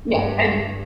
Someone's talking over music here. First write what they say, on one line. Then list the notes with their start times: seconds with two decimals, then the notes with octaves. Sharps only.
Yeah, and
0.11 G2